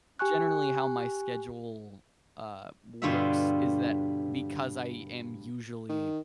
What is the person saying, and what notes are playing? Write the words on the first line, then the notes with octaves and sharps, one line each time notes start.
generally how my schedule, uh, works is that because I am usually,
G4 G#5 C#6 F#6
G2 B2 D3 F4 F#4 E5
D#3